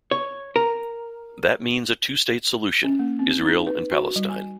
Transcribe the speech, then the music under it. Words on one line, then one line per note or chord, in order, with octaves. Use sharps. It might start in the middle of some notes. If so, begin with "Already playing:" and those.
That means a two-state solution: Israel and Palestine.
C#5
A#4
C#4
A#3
C4
D#4
B4
F#4
G3
G#5